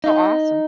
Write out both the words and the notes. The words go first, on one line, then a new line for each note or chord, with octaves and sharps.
Oh, awesome.
D#4